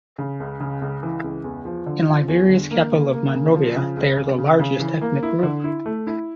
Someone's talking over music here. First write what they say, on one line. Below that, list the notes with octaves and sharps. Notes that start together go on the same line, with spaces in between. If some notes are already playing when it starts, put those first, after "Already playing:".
In Liberia's capital of Monrovia, they are the largest ethnic group.
C#3
C#2
C#3
C#2
E3
C#2
E2
F3
D3
F3
E2
D3
A#3
C#3
A#3
C#3
F3
C#3
C#2
C#3
C#3
C#3
E3
A#3
E4
D3
E4
A3
E4